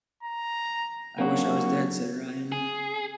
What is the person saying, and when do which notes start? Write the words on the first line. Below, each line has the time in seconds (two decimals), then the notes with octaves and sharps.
"I wish I was dead," said Ryan.
0.23 A#5
1.18 F#3 A#3 C4 D4 F#4
2.52 G#4